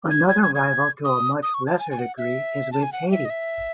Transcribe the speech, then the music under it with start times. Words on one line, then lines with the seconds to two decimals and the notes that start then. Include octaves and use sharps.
Another rival to a much lesser degree is with Haiti.
0.11 G#6
0.29 G#6
0.43 G#6
0.55 G#6
1.05 D#6
1.43 D#6
1.54 C#6
1.67 A5
1.79 G#5
1.91 G#5
1.99 F#5
2.18 E5
2.72 A5
2.83 G#5
2.93 F#5
3.11 E5
3.25 D#5
3.30 E5